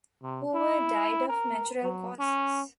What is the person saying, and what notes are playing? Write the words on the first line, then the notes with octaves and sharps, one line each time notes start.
Hoover died of natural causes.
C3
E4
A#4
F#3
C#4